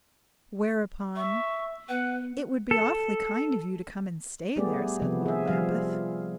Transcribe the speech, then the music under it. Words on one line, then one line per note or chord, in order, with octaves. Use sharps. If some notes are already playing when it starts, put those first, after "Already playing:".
Whereupon--"It would be awfully kind of you to come and stay there," said Lord Lambeth.
E5 C#6
B3 B4 F#5
A4
G3 A3 B3 G4 G#4 D5
C3 F3 B3
G#4 E5
F3 G3 F5